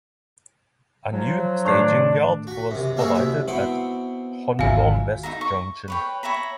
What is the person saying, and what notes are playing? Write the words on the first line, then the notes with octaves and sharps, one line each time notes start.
A new staging yard was provided at Honeybourne West Junction.
F3 F#3
A2 D#3 A3 D4
F#4 B5
F#2 C3
A#3 C4 D#4 E4 F#4 G#4
C2 F#2 E4 B5
B2 C4 E4
G#1 E2 F#3 F4 E5 F5 G#5
D#4 F4 E5 A#5
C#6
B4 C#5 G5
C#5 E5 A#5 B5